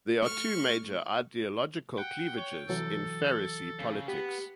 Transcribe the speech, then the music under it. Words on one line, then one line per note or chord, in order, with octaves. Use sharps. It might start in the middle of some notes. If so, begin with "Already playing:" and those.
There are two major ideological cleavages in Faroese politics.
A3 C#6 F6
F#5 G5
C#5
C2 E3 F#3 A4
C#3
B3 G4